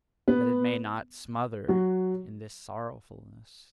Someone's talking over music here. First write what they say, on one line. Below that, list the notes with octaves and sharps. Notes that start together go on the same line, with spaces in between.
That it may not smother in this sorrowfulness!
B3 B4
F#3 F#4